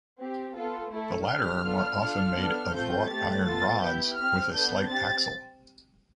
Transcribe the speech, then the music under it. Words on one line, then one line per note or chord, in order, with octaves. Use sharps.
The latter are more often made of wrought-iron rods, with a slight axle.
C4 G4
B3 F4 A4
A3 E4 A4
D4 G4 F6
B3 D4 F4 A4
D4 F4 A4
B3 D4 A4
A3 C4 F4 A4 G6
A3 C4 G4 A6
B3 F4 A4 A6
B3 E4 G4 G6
C4 G4 F6
B3 D4 A4 G6
C4 G4 A6